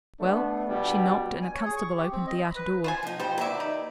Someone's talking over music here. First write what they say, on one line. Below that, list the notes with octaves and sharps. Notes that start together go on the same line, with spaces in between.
Well, she knocked, and a constable opened the outer door.
A3 B3 D4
A#1 B2 G3 B3 D4
G#5
C#5
G#4
C#6
G4
C4
D#5
B5
B4
F4 C5 G#5
F3 D#4
G3 F4 G4 C5
D#2 F#3 B4 D5 E5
D#4